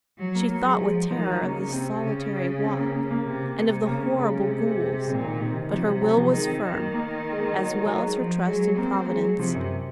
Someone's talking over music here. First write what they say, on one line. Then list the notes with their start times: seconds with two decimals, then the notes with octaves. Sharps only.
She thought with terror of the solitary walk, and of the horrible ghouls, but her will was firm, as well as her trust in Providence.
0.19 F#3
0.35 A#3
0.50 F#3 A#3
0.65 G#3
0.80 F3 G#3
0.95 F#3
1.11 D#3 F3
1.27 F#3
1.42 C#3 A#3
1.72 C3 C4
2.03 C#3
2.64 C4
2.80 A#3
2.95 A#3
3.11 A#3
3.26 C3
3.56 C3
3.87 C#3 A#3
4.03 A#3
4.17 C#3 G#3
4.33 G#3
4.48 C3 G#3
4.64 G#3
4.79 G#3
4.94 G#3
5.09 A#2 C4
5.25 D#3
5.40 C3 D#3
5.56 D#3
5.71 C3 F3
5.86 F#3
6.01 F#3
6.17 F3
6.32 D#3 G#3
6.47 C4
6.63 D#3
6.79 A#3
6.94 A#3
7.31 G#3
7.39 A#3
7.55 F#3
7.70 F#3
7.86 F#3
8.01 G#3
8.16 F3
8.46 F#3 G#3
8.77 A#3 C4
9.08 F#3 G#3
9.39 C3 F3
9.55 F#2